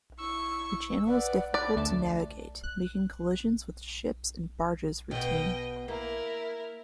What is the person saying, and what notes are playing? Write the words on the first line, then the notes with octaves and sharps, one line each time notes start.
The channel was difficult to navigate, making collisions with ships and barges routine.
E4 C#6 E6
B4 D5 F#5
B4 D5
D2 A3 A5
F#6
B2 B3 D#5 G5
A#3 E4 A#4